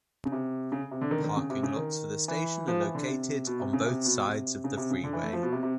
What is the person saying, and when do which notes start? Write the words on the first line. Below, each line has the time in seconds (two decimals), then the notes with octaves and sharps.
Parking lots for the station are located on both sides of the freeway.
0.25 C#3
0.32 C3
0.72 C#3
0.91 C3
1.01 D3
1.11 D#3
1.18 D3
1.24 D#3
1.37 C#3
1.50 C3
1.63 C#3
1.76 D#3
2.28 E3
2.68 F3
2.81 E3
2.95 D3
3.07 C3
3.47 B2
3.60 C3
3.73 C#3
3.86 C3
4.05 B2
4.25 C3
4.64 C#3
4.77 C3
4.90 C#3
5.04 D3
5.13 E3
5.23 A3
5.33 F3
5.43 B2
5.53 C3
5.63 C3